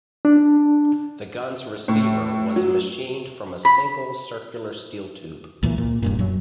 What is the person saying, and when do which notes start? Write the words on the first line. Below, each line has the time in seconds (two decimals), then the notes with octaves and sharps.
The gun's receiver was machined from a single circular steel tube.
0.25 D4
1.88 A2
2.56 F#3
3.65 B5
5.63 C#2 A#2 E3
5.78 A#2
6.02 D#1 G2 A#2
6.19 F#2 F#3